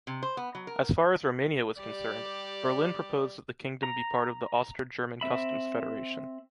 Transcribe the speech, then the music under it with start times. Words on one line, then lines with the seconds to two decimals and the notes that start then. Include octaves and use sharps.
As far as Romania was concerned, Berlin proposed that the kingdom be part of the Austro-German customs federation.
0.07 C3
0.23 C5
0.37 B3
0.55 F#3
0.67 A#4
1.78 G3 G4 D5
3.83 A#5
5.21 C4 E5 B5